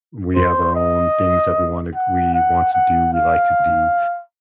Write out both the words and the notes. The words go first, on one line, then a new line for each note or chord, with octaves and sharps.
we have our own things that we wanna we want to do, we like to do.
C5
D#5
F#5
F#5
F#5
F5